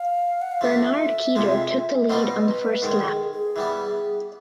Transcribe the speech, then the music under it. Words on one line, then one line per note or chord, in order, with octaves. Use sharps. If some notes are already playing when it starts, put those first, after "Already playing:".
Benard Keter took the lead on the first lap.
Already playing: F5
F#5
F5
F3 A3 D4 E5
F2 C3 F3 G#3
B2 G3 C4 F4 D#5
B4
G#2 D#3 G#3 A#4
A4
G#4
G#4
E3 G3 B3